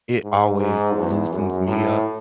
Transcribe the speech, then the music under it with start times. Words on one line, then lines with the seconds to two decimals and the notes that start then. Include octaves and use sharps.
it always loosens me up.
0.24 G#2
0.60 G#2
0.96 E2
1.32 F#2
1.67 A2